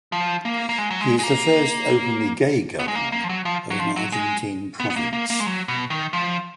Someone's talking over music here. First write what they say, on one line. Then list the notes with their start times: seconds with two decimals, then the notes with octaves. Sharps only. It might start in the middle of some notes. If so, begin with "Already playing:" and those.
He is the first openly gay governor of an Argentine province.
0.12 F3
0.45 A#3
0.69 A#3
0.78 G#3
0.91 F#3
1.01 G#3
1.19 G#3
1.23 A#3
2.79 B3
2.88 G#3
2.95 A#3
3.12 A#3
3.24 F3
3.29 F#3
3.45 F3
3.70 F#3
3.79 F3
3.96 F#3
4.12 G#3
4.80 B3
4.90 B3
4.96 A#3
5.13 A#3
5.30 A#3
5.40 G#3
5.46 F#3
5.68 B2
5.90 D#3
6.13 F3